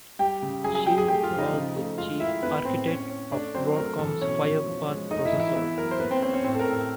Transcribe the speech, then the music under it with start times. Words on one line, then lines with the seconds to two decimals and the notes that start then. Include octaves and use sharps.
She was the Chief Architect of Broadcom's Firepath processor.
0.19 G3 G4 G5
0.42 C#3
0.64 F#3 G#4 G#5
0.75 G#4 G#5
0.86 F#3 G4 G5
0.98 G#4 G#5
1.08 A3 G4 G5
1.23 F4 F5
1.31 F3
1.38 D#4 D#5
1.53 C#3
1.76 A3
1.98 G#3 F4 F5
2.20 D#3 E4 E5
2.43 B3 D4 B4
2.65 A2 C4 C5
2.87 C#4 C#5
3.10 C#4
3.32 A3 D4 D5
3.54 F#3 C4 C5
3.77 A3 A#4
3.99 E3 A4
4.21 B2 C#4 C#5
4.44 B2
4.66 F3
4.89 G#3
5.11 A3 D#4 D#5
5.25 E4 E5
5.33 E3
5.40 E4 E5
5.55 B3 E4 E5
5.78 F#3 A#4
5.91 C5
6.00 A#3 B3 B4
6.11 C4 C5
6.22 C4 C#4 C5
6.33 C#4 C#5
6.44 A2 C4 C5
6.54 A4
6.59 A#4
6.67 A2
6.74 A#4